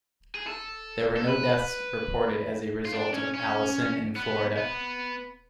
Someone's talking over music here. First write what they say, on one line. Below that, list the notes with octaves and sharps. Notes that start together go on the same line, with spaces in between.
There were no deaths reported as a result of Allison in Florida.
G#4
A4
A4
B4
F4
D4
C#4
C#4
B3
B3